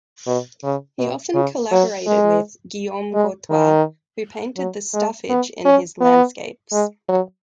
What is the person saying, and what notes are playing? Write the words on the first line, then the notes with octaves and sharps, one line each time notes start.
He often collaborated with Guillaume Courtois who painted the staffage in his landscapes.
B2
C#3
B2
C#3
F#3
G#3
G#3
D#3
F#3
G#3
B3
C#4
B3
G#3
F#3